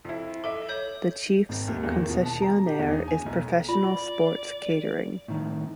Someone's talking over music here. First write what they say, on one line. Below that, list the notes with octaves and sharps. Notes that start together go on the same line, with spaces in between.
The Chiefs' concessionaire is Professional Sports Catering.
F2 E4
A4 D#5 E5 D6
C#5 G6 F#7
G#1
D#2
E2
D#3
B2
A5
A#5
G4
E2
D#4
G#5
B1
F4 D5
A2 D#3